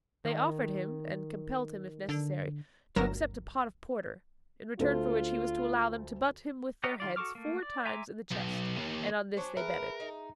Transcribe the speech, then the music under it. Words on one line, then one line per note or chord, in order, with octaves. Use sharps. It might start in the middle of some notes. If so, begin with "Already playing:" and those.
They offered him, and compelled him, if necessary, to accept a pot of porter, in return for which he was to allow them to butt him with their heads four times in the chest, and on this they betted.
D#3
D3
G1 D2 F#3 A#4 A#6 E7
D2 F4 A4 C5
G4 A#4 C#5 D#5 F#5
D#3 F4 D5
F#4 A4 C#6 D6 F6
A3 A#3
D5
E5 G#5 A#5 C6 D6
B1
D#2
F#3 C#4 D4 C5
G#4 A#4 B4 E5
D#4